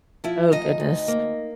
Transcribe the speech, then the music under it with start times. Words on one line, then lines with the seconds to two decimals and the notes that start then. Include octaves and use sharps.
Oh goodness.
0.24 F3 E4 E5
0.52 D2 D#4 D#5
0.80 D2
1.08 A#3